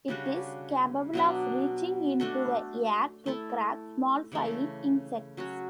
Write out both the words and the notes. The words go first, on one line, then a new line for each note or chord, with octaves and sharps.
It is capable of reaching into the air to grab small flying insects.
C#3 G3 D4 F#4
B2 F#3 B3 D4
A3 D4 F#4 A4
A3 E4 A4
C#3 E3 A3
F#3 C#4 F#4